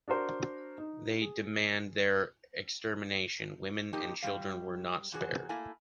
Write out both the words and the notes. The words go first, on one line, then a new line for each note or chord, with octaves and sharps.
They demand their extermination, women and children were not spared.
D4 F#4 A#4 C5
D#4
G#4
F2 F3 A#3 D#4 G4
F#2 D#3 G3 F5
E2 C3 F#4 G#4
A3 A#3 E4 G#5